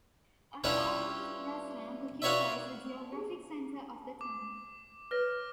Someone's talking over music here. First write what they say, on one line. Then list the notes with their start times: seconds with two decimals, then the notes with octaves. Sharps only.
A large cedar swamp occupies the geographic center of the town.
0.64 G3 C#4 D4 E4 F4 B4
2.22 F4 F#4 B4 C#5 D5 E5
3.12 G4 G#4
4.21 D6
5.11 B4 C#5 F6 A#6